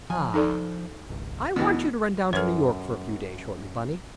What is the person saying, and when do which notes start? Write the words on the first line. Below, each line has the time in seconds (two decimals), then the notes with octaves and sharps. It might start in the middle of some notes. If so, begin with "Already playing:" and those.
Ah-- I want you to run down to New York for a few days shortly, Bunny.
0.10 F3 G#5
0.34 D#4 A4 D5
1.09 G#1 C#2
1.56 D2 B2 E3 B3
2.33 F#2 A4 B4 C#5